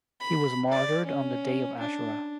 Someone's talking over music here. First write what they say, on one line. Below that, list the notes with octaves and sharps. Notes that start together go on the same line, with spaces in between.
He was martyred on the Day of Ashura.
B5
D5
C#4
D4